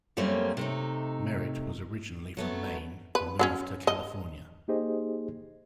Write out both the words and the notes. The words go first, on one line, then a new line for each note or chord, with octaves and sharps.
Merritt was originally from Maine and moved to California.
F#2 G3 A3 A#3 C4 C#4
C3 A3 D#4
F#3 A3 B3
B4
F#3 B3 C#4
D#5
A#3 D#4 G4 G#4 C5 D#5